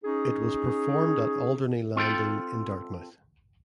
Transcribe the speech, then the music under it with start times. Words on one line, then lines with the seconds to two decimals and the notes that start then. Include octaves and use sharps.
It was performed at Alderney Landing in Dartmouth.
0.04 C#4 D#4 G#4
1.96 C4 F4 A4 G5